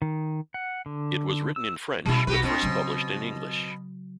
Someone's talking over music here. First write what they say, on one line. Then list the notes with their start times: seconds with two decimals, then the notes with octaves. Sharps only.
It was written in French, but first published in English.
0.02 D#3
0.54 F#5
0.86 D3
1.56 E6
2.06 B2 G3 C#4 E4
2.27 B1 F#4 G4 B4
2.43 B2 C4 D4
2.62 C#3 F#3